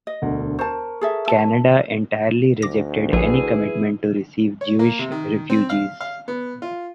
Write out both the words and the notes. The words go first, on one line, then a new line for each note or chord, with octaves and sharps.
Canada entirely rejected any commitment to receive Jewish refugees.
D#5
E1 D2 F#5
A#4 C5 A5 C#6
G#4 A4 E5
E5 A5
D2 D6 A#6
A#1 E4 G#4 B4
C#5
A#3
C3
D#3
C4
F5
F5
B3
F4